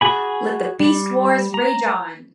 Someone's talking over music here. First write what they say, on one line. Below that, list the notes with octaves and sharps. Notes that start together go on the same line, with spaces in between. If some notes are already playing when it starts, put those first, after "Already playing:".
Let the "Beast Wars" rage on!
F#4 G#4 G#5 B5
G3
A#5